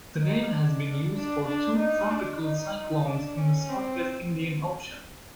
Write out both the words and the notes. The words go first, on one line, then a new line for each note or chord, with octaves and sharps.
The name has been used for two tropical cyclones in the Southwest Indian Ocean.
D#4
D4
D4
D4
D#4
D4
D#4
D4
C#4
C4